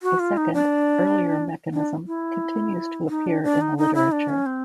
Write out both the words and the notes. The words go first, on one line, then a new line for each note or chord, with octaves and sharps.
A second, earlier mechanism continues to appear in the literature.
F#4
F4
D#4
D4
D4
E4
D#4
D4
D4
D#4
D#4
E4
D4
C#4
C4